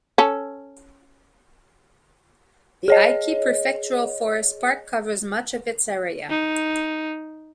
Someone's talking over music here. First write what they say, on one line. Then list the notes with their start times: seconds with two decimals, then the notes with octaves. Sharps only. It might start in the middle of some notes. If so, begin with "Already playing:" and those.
The Aichi Prefectural Forest Park covers much of its area.
0.18 C#4 A4
2.88 G#4 C#5 D#5
6.30 D#4